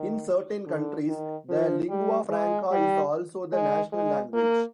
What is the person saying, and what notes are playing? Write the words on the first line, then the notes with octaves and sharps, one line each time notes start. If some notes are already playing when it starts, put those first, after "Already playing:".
In certain countries, the "lingua franca" is also the national language.
Already playing: D#3
D3
D#3
F3
G3
G#3
G3
G#3
G#3
A#3